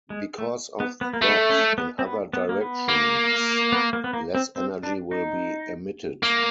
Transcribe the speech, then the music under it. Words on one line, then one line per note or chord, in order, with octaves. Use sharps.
Because of that, in other directions less energy wil be emitted.
G#3
A3
B3
B3
A#3
A3 B3
C#4
B3
C4
B3
B3
A#3
B3
A#3
B3
A#3
B3
A#3
C4
C4
D4
D#4
A#3